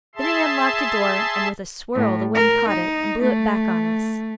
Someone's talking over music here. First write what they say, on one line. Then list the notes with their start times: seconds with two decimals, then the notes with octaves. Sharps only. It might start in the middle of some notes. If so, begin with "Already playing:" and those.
Then he unlocked a door and with a swirl the wind caught it and blew it back on us.
0.16 G#4 E5 A5 C6
1.94 A2
2.35 A#4
2.68 D#4
3.21 A3